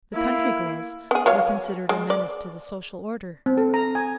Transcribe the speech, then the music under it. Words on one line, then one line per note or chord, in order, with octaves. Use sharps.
The country girls were considered a menace to the social order.
A#3 E4
B3 G#4
F#3 C#5 F5
G#3
D5
C4
A4
A#5
G#5